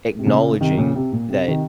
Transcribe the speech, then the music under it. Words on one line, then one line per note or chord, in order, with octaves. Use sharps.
acknowledging that
C3
A#2 C#3
C3 D#3
A#2 C#3
C3
A#2
C3
C3 D#3